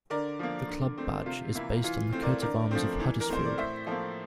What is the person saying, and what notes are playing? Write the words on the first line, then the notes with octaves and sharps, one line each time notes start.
The club badge is based on the coat of arms of Huddersfield.
D3 A#4 D5
F3 A#3
D3
A3 C4
C3 F4
E3 A#3 E4
E3 F4
A3 C4
A#4 D5
D3 A#4 D5
F3 A3 C4
E3
A#4
A3 C4 C5
D5
A2 C5 E5
F3 A#3 A4 C5